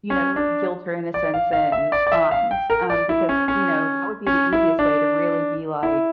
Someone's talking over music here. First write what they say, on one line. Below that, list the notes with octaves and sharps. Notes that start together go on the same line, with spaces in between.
you know, guilt or innocence in crimes?" Um, because, you know, that would be the easiest way to really be like,
C#4
D4
D5
F5
F5
E5
D5
D5
E5
F5
G5
A#4
D5
E4
C#4
C#4
C#4
E4
D4
E4